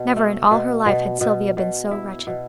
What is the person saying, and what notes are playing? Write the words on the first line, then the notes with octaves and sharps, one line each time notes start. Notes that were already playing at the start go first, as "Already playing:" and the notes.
Never in all her life had Sylvia been so wretched.
Already playing: B2
A3
B2
B2
B2
B2
E4
B2